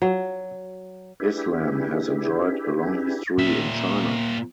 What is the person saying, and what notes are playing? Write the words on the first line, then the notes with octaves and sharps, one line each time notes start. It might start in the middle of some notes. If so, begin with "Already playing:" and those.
Islam has enjoyed a long history in China.
F#3
D4 E4 G4 G#4 B4
A#2 E5